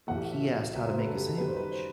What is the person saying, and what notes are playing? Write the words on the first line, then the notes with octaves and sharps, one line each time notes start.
he asked how to make a sandwich.
B1 A2 E3 A3 F#5
G4
F#4
E5
F#1 F#2 F#3 E5
C5
B4
A4
G4
A4
F#2 D#3 G3 B4
C5
B4
C5